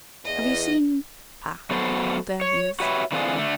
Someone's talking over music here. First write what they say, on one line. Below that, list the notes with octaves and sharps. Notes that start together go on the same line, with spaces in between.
Have you seen--ah! there he is.
E2 D#5
F#3 B3 F#4 A4 C5
C#5
F#4 G4 B4 C#5 E5
D3 E3 C4 D4 F4 G#4
D3 A3